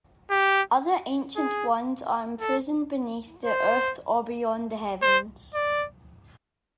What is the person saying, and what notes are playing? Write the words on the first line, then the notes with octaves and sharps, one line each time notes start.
Other Ancient Ones are imprisoned beneath the Earth or beyond the Heavens.
G4
G#4
A4
C5
C5
D5